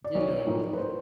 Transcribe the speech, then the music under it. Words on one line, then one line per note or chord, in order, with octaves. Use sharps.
you know
D5
B1 C#5
A2 F3 A#3 D#4
B4
C5